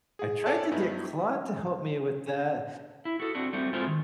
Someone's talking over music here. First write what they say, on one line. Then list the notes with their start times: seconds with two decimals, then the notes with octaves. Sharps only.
I tried to get Claude to help me with that,
0.19 G#4
0.46 A4 C#5 D5 G#5 A5
0.71 G2 B3 D#4 E4
3.05 E4
3.20 F#4 A4
3.35 C4 D4 F#4
3.53 G3 A3 C4 F#4
3.73 G#3 A3 C4 F4 C5
3.87 D#3